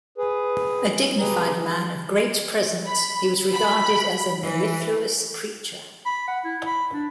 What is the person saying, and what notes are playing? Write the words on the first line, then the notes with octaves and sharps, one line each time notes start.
A dignified man of great presence, he was regarded as a mellifluous preacher.
G#4 B4
B2 G4 G#4 B4 A#5
B5
B5
E3
B5
F#5
E4
B5
D4